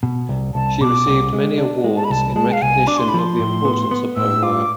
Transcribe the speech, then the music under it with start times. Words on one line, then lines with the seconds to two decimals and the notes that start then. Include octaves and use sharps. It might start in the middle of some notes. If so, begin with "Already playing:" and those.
She received many awards in recognition of the importance of her work.
0.03 B2
0.29 C2
0.54 C2 A5
0.81 B2 D6
1.07 C2
1.33 G#3
1.58 D4
1.84 G#3
1.97 A5
2.04 B5
2.10 C2 A5
2.36 G#3 A5
2.52 F5
2.62 C2 G#5
2.87 D4 D6
2.98 C6
3.09 B5
3.14 F3 C6
3.39 A2
3.65 B3
3.91 B3
4.16 A2 E6
4.43 F4 D6